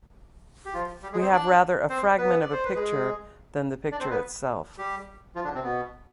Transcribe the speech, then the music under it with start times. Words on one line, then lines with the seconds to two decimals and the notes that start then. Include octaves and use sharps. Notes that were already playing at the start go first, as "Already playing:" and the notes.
We have rather a fragment of a picture than the picture itself.
0.65 G4
0.74 F3 F4
1.02 G3 G4
1.13 G#3 G#4
1.22 C4 C5
1.32 D4 D5
1.89 C4 C5
2.18 B3 B4
2.41 D5
2.52 C5
2.65 B4
2.75 G#3 G#4
3.92 D4 D5
4.00 C4 C5
4.11 B3 B4
4.78 G3 G4
5.35 F3 F4
5.44 D3 D4
5.55 C3 C4
5.63 B2 B3